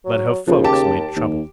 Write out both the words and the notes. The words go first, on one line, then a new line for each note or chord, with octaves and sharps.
But her folks made trouble.
F#3
D#2 C#3 F3
G4 A5
D#2